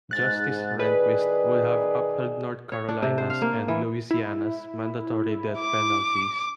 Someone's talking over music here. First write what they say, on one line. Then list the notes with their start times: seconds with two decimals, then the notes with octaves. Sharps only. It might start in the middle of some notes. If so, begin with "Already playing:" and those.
Justice Rehnquist would have upheld North Carolina's and Louisiana's mandatory death penalties.
0.11 G#2 F#6 A6
0.80 D#3 G#4 B4 D5
2.72 C#5
2.89 D4
3.03 C3
3.18 C5
3.30 F5
3.42 A#3
3.68 E3
4.11 E4
5.59 D6